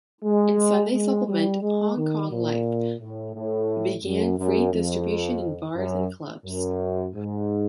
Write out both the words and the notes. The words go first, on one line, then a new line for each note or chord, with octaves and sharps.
Its Sunday supplement, Hong Kong Life, began free distribution in bars and clubs.
G#3
G#3
G3
G#3
D#3
A#2
A2
A2
F#2
F#2
F2
F#2
F#2
G#2